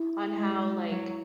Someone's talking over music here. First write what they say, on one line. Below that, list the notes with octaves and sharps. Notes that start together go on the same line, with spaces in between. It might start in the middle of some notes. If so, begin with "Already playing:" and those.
on how like,
Already playing: E4
G#3
F#3